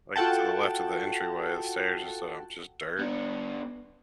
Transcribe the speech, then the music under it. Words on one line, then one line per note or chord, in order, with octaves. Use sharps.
like, to the left of the entryway, the stairs is, um, just dirt
F4 F#4 A4 F#5 G5 A5
B3 D4